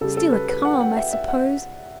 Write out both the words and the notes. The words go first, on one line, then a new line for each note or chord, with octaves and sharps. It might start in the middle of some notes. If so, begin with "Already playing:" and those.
Still a calm, I suppose?
C#3 G3 A4
A4
B4
B4
F#5
G5
F#5
E5
E5
F#5